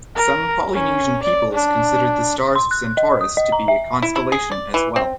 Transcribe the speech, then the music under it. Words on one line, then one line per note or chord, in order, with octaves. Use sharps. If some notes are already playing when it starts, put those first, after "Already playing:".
Some Polynesian peoples considered the stars of Centaurus to be a constellation as well.
A#4
C#4
D5
D4
C6
F#6
D#5
D#6
D#5
A#5
E5
E4
E4
G#4
D5
E3
C4